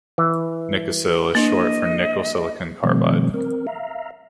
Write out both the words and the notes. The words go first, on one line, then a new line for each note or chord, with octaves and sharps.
Nikasil is short for Nickel Silicon Carbide.
E3
A#3 D4 D#5
B2 D#3 F3 G3 A3 C4
C4 A#4
E5 F5 A#5